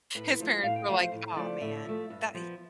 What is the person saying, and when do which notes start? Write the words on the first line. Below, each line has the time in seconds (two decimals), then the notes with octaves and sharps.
His parents were like, "Aw, man, that he
0.15 A2 B4
0.40 F3 A3
0.63 A2 F5
0.76 G5
0.88 F3 A3 F5
1.01 C5
1.12 A2
1.37 F3 A3 D5
1.61 A2 E5
1.85 F3 A3
2.10 G2
2.34 F3 B3